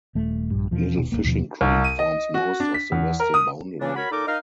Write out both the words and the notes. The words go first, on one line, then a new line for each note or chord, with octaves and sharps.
Little Fishing Creek forms most of the western boundary.
D#1 A3
A#1 G2
E2 B2 F3
D#1 B2
D#1 D#2 A#3
D#2 B2 F3
C2
D#7
D#5
F#4
D4
B6
E2
A#4
D#6
C#3 E3 A#3 C#4 D4
F#4 A#4 C#5 B5
A#2 D#4 A4 A#4 D6
D#4 A#4 F5